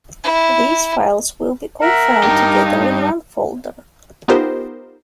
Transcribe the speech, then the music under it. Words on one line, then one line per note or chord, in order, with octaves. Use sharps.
These files will be all found together in one folder.
E4
A#4 E5 F#5
G2 D#4 G4
B3 D#4 F4 G4 A#4 C5